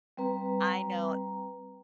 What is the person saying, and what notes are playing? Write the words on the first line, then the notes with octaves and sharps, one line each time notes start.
I know.
G3 C4 B4 A#5